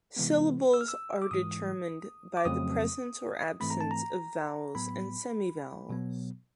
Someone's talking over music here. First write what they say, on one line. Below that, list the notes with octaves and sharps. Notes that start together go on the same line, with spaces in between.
Syllables are determined by the presence or absence of vowels and semi-vowels.
C3 E3 G#3 B3
E6
F6
E6
D6
G#2 E3 G#3 D#6
D6
F2 C#3 F#3 A3 C4 D#6
G#2 E3 A3 C4 B5
A#5
A5
A#5
A2 F#3 B3 B5
B2 F#3 B3